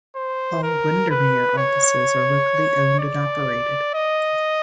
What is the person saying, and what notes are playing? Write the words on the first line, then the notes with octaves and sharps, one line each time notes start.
All Windermere offices are locally owned and operated.
C5
A#4
B4
C#5
D5
D#5